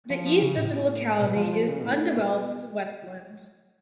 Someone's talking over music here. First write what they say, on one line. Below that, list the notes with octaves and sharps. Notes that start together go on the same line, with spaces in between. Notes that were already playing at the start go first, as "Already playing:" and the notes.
The east of the locality is undeveloped wetlands.
F3
F3
C#3
A2
B2
F3
F3
C#3
B2
A2
B2